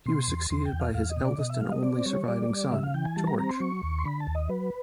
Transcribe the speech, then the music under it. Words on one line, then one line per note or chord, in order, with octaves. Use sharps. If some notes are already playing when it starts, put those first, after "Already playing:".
He was succeeded by his eldest and only surviving son, George.
B2 C6
E2
E2 C6
G5
E2
F5
E2 F5
D#5
B2
D5
B2 D#5
E5
G3 F5
D#5
C4 D5
G3 C#5
G3 D5
G3
C#3 E5
F5
E3 G5
G#5
G3 A5
A#5
C4 A#5
C6
F#3 C#6
D#2
C6
D3 B5
A5
D#2
D#5
F#3 B4